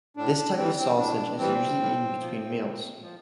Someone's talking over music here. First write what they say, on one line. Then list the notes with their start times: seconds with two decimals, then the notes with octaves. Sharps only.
This type of sausage is usually eaten between meals.
0.17 A2 D4
0.37 D4
0.57 E3 G3 C4
0.78 C4
0.98 A2 D4
1.39 E3 G3 C4
1.79 A2
2.20 F3
2.60 A2
3.01 F3